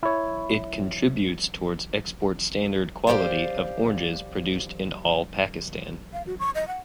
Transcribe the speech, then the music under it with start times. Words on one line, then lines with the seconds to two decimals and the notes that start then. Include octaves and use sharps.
It contributes towards export standard quality of oranges produced in all Pakistan.
0.03 E4 C#5
3.07 G4 A4 C5 D5 F5
6.13 F5
6.27 F#4
6.40 C#6
6.55 D#5
6.68 F#5